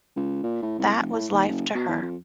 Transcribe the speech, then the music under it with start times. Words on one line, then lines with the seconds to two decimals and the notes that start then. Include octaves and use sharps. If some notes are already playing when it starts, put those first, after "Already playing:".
That was life to her.
0.16 C#2
0.43 A#2
0.62 A2
0.79 C2
1.00 F1
1.13 A2
1.33 D#2
1.49 F#1
1.75 B2
1.88 E2
2.01 F2